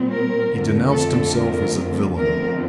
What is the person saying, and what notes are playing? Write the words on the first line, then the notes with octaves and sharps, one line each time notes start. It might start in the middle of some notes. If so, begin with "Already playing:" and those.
He denounced himself as a villain.
Already playing: A#2 G3 C4
A#4
F2 D3 A3 C4
A4
A#4
F2 D3 F3 A3 C4 A#4